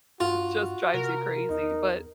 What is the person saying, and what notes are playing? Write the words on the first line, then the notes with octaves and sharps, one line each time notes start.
just drives you crazy, but
G2 F4 F#4
C3 A#4
E2 D#4